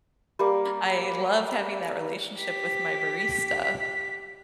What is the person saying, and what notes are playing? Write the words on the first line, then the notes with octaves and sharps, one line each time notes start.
I love having that relationship with my barista,
G3 A#3
G4 B6